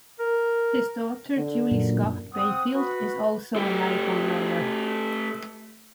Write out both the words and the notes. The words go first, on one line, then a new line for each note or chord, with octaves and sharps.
His daughter Julie Scott-Bayfield is also a libel lawyer.
A#4
D3
F#2 A#2
C4 F#5 D#6
F#4 B4
A3 G4